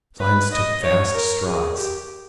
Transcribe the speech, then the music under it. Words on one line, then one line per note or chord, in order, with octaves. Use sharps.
Science took vast strides.
B4
D#5
C#5
A#4
G#4
G4